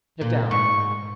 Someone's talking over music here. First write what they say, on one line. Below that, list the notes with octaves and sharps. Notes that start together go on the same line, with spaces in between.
"Get down."
A#2
G#2 C#6